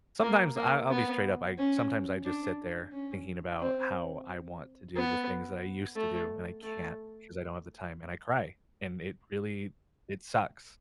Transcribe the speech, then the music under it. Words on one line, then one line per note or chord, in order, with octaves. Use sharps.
sometimes I I'll be straight up, I sometimes I just sit there thinking about how I want to do the things that I used to do, and I can't 'cause I don't have the time, and I cry, and it really it sucks.
A#3
A#3
B3
C#4
D4
C#4
C4
B3
A3
A3